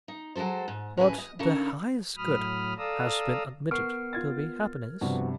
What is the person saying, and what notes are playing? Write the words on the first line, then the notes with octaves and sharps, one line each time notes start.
'But the highest good has been admitted to be happiness.'
D#4
F#3 G#3 A#3 A4 C5
G#2
A2 C#3 B4 G#5
D#5
C#3 D4 D#4 A4 A#4
A2 F#3 B5 D#6 F6
A4 D5 F5 A#5 D#6 E6
B3 A#4 C#6 F6 C7 D7
F4 G#6 A6
G2 C3 F3 B3 F#4